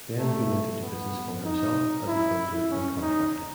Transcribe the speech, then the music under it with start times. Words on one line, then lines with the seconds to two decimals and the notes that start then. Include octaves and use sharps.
Then he went into business for himself as a builder and contractor.
0.19 A3
0.83 B3
1.45 D#4
2.08 E4
2.72 C#4
3.02 D#4